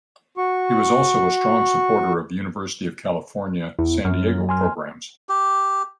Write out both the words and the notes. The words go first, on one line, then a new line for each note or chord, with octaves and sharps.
He was also a strong supporter of University of California, San Diego programs.
F#4 C#6
E2 E4
F#2 F6
G#5 C6 F6
G4